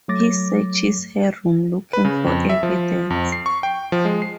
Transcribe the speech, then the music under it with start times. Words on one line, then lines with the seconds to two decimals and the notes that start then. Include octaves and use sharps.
He searches her room looking for evidence.
0.08 F#3 A3 C#5 D6 A6 A#6
1.93 B4
2.05 C#3
2.27 F2
2.49 E5
2.63 F3
3.10 F2
3.32 C7
3.46 C#6
3.63 G5
3.92 F3
4.05 G#3
4.22 C7